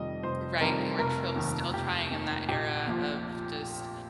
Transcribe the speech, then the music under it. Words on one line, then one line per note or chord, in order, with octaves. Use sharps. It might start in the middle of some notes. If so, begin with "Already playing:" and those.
Right? And we're tril still trying in that era of just,
Already playing: F1 F2 D#3 G3 D#5
F1 C5
F2 D#3 G3 A#4
F1 A#4
D#2 D#3
F1 G4
D#2 D#3
A#1 G4
A#2 F3